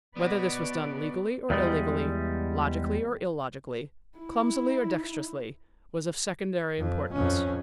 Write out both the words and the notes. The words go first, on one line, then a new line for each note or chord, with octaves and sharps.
Whether this was done legally or illegally, logically or illogically, clumsily or dexterously, was of secondary importance.
B3 F#4 B4 D5
E2 G3 G#3
E4
F2
F2 C#4